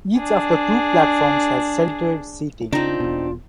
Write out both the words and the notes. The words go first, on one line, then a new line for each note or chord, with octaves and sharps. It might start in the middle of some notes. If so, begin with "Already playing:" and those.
Each of the two platforms has sheltered seating.
D4 G#4
C#3 C4 D4 D#4 F4
E1 B2